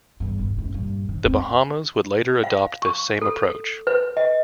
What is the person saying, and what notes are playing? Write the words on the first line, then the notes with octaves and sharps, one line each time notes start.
The Bahamas would later adopt this same approach.
E2 G2
G1
F#1 G#2
G2 A#2
F2 D#3
F2 C4
F5
C#6
A4
B4
D#5